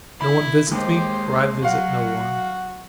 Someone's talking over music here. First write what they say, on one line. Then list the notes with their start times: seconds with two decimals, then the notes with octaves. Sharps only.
No one visits me, for I visit no one.
0.21 E4 B5
0.71 D#2 G#3 G4 C5
1.63 F#3 F#4 F5 F#5